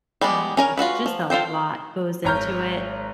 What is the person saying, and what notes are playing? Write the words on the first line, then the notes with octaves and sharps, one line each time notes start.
uh, just a lot goes into it,
G3 G#3 B3 D5
C#4 A#4 G#5
F4 F#4 A4 B4
F3
F4 A4 C5 G5
G#1 C#5 A#5 F6 G6